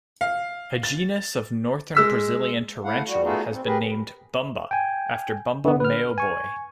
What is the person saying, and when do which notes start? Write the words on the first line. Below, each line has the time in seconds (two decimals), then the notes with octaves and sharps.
A genus of Northern Brazilian tarantula has been named "bumba", after Bumba Meu Boi.
0.21 F5
0.83 A6
1.95 G#3 E6 B6
2.84 A3 E4 F5 F#5
3.07 G3 F#4
3.23 A3 B3 D#4 F4 F#4 G#4
3.51 C4
3.65 G4 G#4 A#4 B4
4.71 G5 G#5
5.65 D3 B3
5.80 B4 F6
6.18 G#5 C#6